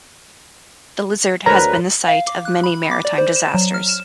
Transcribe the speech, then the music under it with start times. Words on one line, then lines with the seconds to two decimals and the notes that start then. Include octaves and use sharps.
The Lizard has been the site of many maritime disasters.
1.46 D2 A#4 B4 C#5 A#5
2.08 F5
2.27 D6
2.45 F#6
2.64 B5
2.91 D6
3.05 D5
3.18 C5
3.36 E7
3.54 F#3
3.74 F6
3.89 E7